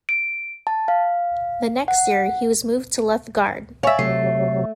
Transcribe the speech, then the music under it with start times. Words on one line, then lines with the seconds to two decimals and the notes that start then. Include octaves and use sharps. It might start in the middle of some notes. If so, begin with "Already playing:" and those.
The next year, he was moved to left guard.
0.09 D7
0.67 A5
0.88 F5
1.88 F#5
3.83 C#5 D5 E5 F5 G#5 C#6
3.99 C3 F#3 A3 C7